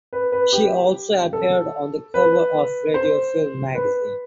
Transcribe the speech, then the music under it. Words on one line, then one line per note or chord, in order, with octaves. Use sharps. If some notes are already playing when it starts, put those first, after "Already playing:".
She also appeared on the cover of "Radio Film" magazine.
B4
B4
G4
A4
B4
C5
B4